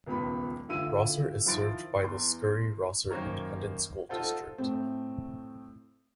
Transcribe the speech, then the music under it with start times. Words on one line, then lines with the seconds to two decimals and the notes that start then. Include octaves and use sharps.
Rosser is served by the Scurry-Rosser Independent School District.
0.06 D#1 C#2 B3 B5
0.69 A1 D3 E4 F4 E6 D#7
1.45 D#3 F3 E4 C6 A6 D7
2.02 E2 C6
3.11 F#2 D#3 A#3 C5 C#5 A#5
4.09 D#4 F4 A4 C5 F#5
4.58 A2 A3 C4